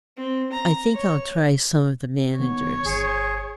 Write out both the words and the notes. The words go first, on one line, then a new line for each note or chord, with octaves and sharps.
"I think I'll try some of the managers."
C4
A#5
C#5
D#3 B3 C#5
G1 G#4 C#7